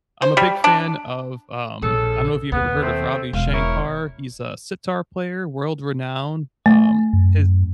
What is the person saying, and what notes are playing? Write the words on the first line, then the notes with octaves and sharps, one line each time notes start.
I'm a big fan of, um I don't know if you've ever heard of Ravi Shankar. He's a sitar player, world-renowned, um, his
C5
G3
D4
A#1 C#3 A4
D#2 B3
A3 C4
E1 F5
E4 A#4 C#5
A3
F#2